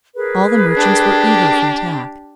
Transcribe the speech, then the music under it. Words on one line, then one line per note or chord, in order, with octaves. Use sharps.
All the merchants were eager for attack.
G#4 A#4 B4
D4 G4